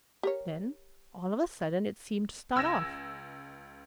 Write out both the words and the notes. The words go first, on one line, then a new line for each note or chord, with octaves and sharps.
Then, all of a sudden, it seemed to start off.
G4 A#4 C#5
C#2 E6 G#6 A#6 E7